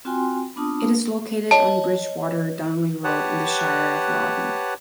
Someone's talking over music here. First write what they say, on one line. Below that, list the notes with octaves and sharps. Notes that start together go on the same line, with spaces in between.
It is located on Bridgewater - Dunolly Road, in the Shire of Loddon.
C4 F4 F#4 G5 G#5 C6
B3 C4 D4 F4 A5 D#6
C#5 D#5 A5
G4 B4 C#5 F#5 A5